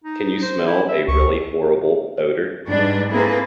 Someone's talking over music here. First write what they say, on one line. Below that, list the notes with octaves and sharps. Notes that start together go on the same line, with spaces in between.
Can you smell a really horrible odour?
D#4
C5
E4
E5
C#2 C#6
G#2 G3 G#3 D4 B4
A#3 C4 E4 G#4 A4 B4